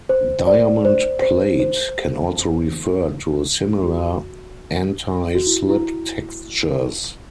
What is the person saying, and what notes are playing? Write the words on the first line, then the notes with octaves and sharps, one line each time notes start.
"Diamond plate" can also refer to similar anti-slip textures.
C5
D5
C5
C5
C5
F#4
F#4
E4
E4